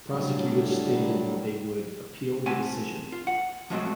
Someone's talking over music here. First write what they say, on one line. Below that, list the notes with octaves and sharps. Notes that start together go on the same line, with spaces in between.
Prosecutors stated they would appeal the decision.
A2 D3 F#3 G3
C4 F#5 G#5 A5
F4
F#5
F3 F#3 G#3 A3 C4 F#4